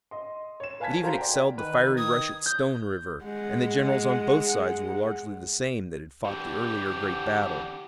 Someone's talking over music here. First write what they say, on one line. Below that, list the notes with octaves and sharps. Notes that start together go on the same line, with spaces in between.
It even excelled the fiery rush at Stone River, and the generals on both sides were largely the same that had fought the earlier great battle.
D#5 C6
C#5 E7
B4 F5 G#5 A5 G#6 B6
F#4 C5 F5 G#5 A#5
D5 G5
D#3 B4
D#6 G#6
G6
G#3 F#5
D3 E3 G4